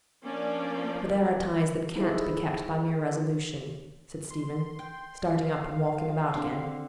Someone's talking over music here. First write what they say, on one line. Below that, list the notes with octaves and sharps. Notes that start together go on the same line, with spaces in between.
"But there are ties that can't be kept by mere resolution," said Stephen, starting up and walking about again.
F3 A#3 C#4 D4 D5
D#4 E4 G#4 A4 B4 C5
C6
G5
F5
D3 C4